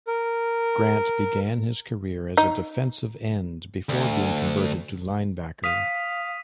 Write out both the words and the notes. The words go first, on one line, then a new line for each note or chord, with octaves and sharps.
Grant began his career as a defensive end before being converted to linebacker.
A#4
D#4
D2
F5 D#6 F6 B6 D#7